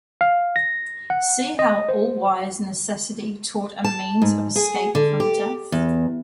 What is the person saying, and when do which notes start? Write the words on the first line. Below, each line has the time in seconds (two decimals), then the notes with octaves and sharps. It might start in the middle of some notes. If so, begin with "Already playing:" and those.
See how all-wise necessity taught a means of escape from death!
0.21 F5
0.56 A#6
1.10 F#5
1.59 D#5
1.89 C5
3.84 A5
4.22 G#2
4.56 G#4
4.95 D3
5.20 G4
5.72 E2